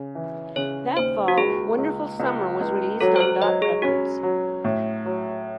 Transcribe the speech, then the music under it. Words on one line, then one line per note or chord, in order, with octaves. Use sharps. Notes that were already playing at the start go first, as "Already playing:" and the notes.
That fall, "Wonderful Summer" was released on Dot Records.
Already playing: C#3
E3
C#3 C#5
D#2 C5
F#4
C#2 G#4
C#2
C#2
C#2
F#3 A4
C5
C#5
F#3 D#5
G#4
C#4 F#4
F#3
A2
F#3